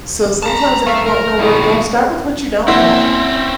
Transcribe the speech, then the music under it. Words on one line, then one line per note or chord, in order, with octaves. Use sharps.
So sometimes if you don't know where to go, start with what you don't want.
G#4 A5 A#5
A3 A4 E5 F5 A#5
A#4
D#2 B2 G#3 E4 D#5
A#3 C4 C#4 E4 F#5 C6